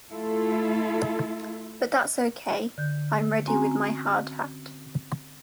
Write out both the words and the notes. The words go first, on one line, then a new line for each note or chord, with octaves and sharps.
But that's okay-I'm ready with my hard hat.
A3 E4 F4 A4
D3 G6
C4 C#4 F#4 G#5 A#5